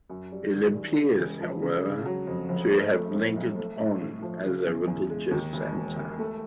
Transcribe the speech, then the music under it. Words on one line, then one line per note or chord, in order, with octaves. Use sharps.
It appears, however, to have lingered on as a religious centre.
F#2
G3
D#3
G3
C#3
E1
F3
C#3
C#3
F#3
F2
F1
A3
A3
A2
B1
A3
A2
A2
F3
C#3
E2
E2
G#3
D#2
E1
E1
E1
A3